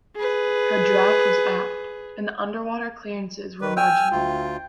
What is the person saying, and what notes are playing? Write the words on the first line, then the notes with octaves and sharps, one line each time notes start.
Her draft was aft and the underwater clearances were marginal.
G#4 B4
D#3 B4
G5 G#5 E6 F6
D2 F4